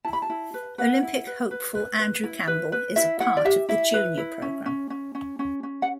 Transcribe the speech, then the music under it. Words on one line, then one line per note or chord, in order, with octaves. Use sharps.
Olympic hopeful Andrew Campbell is a part of the Junior program.
E4 A5
B5
A5
E4
B4
B4 F#5
E4
B4
B4
B4
B4
E4
B4
B4
E4 E5
E4 F#5
D5
G4 E5
E4 E5
B4
E4
C#4
C#4
C#4
C#4
C#4
C#4
F#5